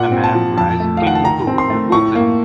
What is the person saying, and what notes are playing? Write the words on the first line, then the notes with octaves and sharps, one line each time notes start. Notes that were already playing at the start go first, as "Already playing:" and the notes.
A man rides a kicking bull in a bullpen.
Already playing: A#2 F#5
C4
A5
F3
F2 A5
A3
F5
D#3 F#5
A5
D#3 A#5
C4
C6
A3
A2 C#6
A#3